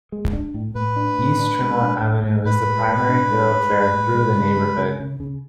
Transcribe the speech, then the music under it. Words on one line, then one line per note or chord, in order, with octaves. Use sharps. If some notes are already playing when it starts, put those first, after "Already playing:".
East Tremont Avenue is the primary thoroughfare through the neighborhood.
G#3
D4
A2
A2 B4
D4
A2
D4
G#3
D4
A2
A2
A2 B4
G#3
A2
D4
G#3
G#3
G#3
A2
G#3
C#3
G#3
C#3
C#3
C#3